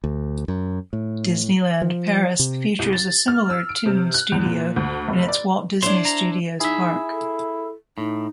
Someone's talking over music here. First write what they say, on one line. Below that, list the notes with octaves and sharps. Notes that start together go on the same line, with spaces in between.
Disneyland Paris features a similar 'Toon Studio' in its Walt Disney Studios Park.
D2
F#2
A2
F3
C3
C2
A6
F6
E6
D7
C3
F#6
E2
A#2
D2
F1
D5
D4 E4 C5 C#5 C6
A#5
D#4 E4 G#4 E5
A4
A2 D#4